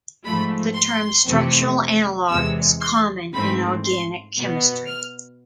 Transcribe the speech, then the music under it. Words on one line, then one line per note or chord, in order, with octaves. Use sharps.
The term "structural analogue" is common in organic chemistry.
G#2 F3 A3 B5
C6
F2 C3 E3 A3 C4
E2 C3 G#3 E6
C6
G#2 E3 A3 C4 B5
C6
B2 B3
F6